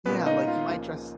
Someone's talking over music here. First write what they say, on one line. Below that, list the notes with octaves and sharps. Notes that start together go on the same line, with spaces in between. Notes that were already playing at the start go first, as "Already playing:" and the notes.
Yeah, like, you might dress
A#2 G#3 B3 C#4 B4
F5
D#4 D#5
F4 F5
C#2 C#3 F3 A#3